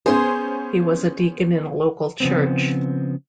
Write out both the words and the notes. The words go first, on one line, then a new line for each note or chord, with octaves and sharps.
He was a deacon in a local church.
B3 C#4 G#4 C5 C6
C#3 F3 B3 C4